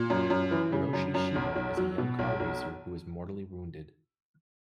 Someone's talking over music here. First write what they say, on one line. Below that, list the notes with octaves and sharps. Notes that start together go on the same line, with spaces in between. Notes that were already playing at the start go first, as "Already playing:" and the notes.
Hiroshi Shiba is a young car racer who is mortally wounded.
Already playing: A#2
F#2
F#2
E3
C#3
F#2
F#2
B1
B1
F#3
B2
B1
B1